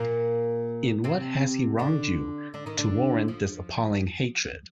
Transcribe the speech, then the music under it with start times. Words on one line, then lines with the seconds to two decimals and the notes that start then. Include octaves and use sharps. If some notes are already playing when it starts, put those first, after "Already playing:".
In what has he wronged you, to warrant this appalling hatred?
Already playing: A#2 A#3
1.04 C3 C4
1.79 D3 D4
2.54 D3 D4
2.66 D#3 D#4
2.79 D3 D4
3.28 F3